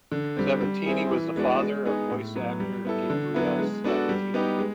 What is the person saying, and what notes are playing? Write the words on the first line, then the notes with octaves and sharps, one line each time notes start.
Sabatini was the father of voice actor Gabriele Sabatini.
D3
G3 C4
G3
C4 E4 G#4
E3
G#3 B3 D4 F#4
G#3
B3 D#4 G#4
A2
F#3 B3
G3
B3 E4 A4
D3
F#3 B3 E4
G#3
B3 D4 F#4 A4
G3
B3 D#4 G4
G#3